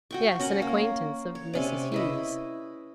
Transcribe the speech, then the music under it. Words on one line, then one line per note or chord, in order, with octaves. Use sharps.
"Yes, an acquaintance of Mrs. Hughes."
F#4 G5 C#6
C#4 A#4 C#5 F#5
A#3
C#5
C3 C#4 D5
E4 B4 D#5